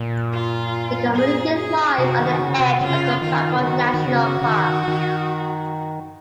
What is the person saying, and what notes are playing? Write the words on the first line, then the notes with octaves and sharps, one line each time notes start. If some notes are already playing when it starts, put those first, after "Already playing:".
The community lies on the edge of the Paparoa National Park.
Already playing: A#2
F4
G#4
G#4
C3 F#4
D#3
C#3
C3
C#3 F4
D#3 F4
C#3
D#3 F#4
D#3
C#3
C#3
D#3
D#3